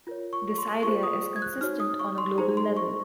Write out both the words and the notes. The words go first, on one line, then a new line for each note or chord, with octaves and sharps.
This idea is consistent on a global level.
F4 A#4 C#5
C#6
C6
F4 G#4 C5 C#6
D#6
G#6
F#6
D#4 F#4 C#5 F6
D#6
C#6
C6
D#4 G#4 C5 A#5
C6
C#6